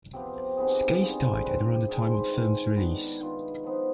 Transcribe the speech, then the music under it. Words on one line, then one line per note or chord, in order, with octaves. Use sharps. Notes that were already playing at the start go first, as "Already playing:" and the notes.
Skase died at around the time of the film's release.
C3 F3 B3 G4
C3 D#3 B3 D#4 G#4
G4
G4
G4
D3 G3 C4 F4 G#4
G#2 F3 C4 B4
G4
G4
G#2 D#3 G3 G#4
C5
B4
G#2 D#3 G#3 C5
D#3 B3 D4 B4
D#3 B3 F4
F3 B3 D#4